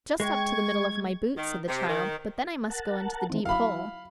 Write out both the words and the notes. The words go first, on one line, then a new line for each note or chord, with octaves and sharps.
"Just up to the middle of my boot," said the child; "but then I must go into the deep hole."
G#3 G5 C#6 G#6
D#3
C3
D#3
A#4 F#5 A5
D#3 E3 C4
F#3 E4 F5 B5